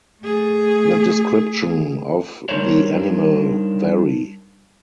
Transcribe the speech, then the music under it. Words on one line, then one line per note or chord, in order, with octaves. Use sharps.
The description of the animal vary.
A3 G#4
G3 D4 D#4 A#4 C5 C#5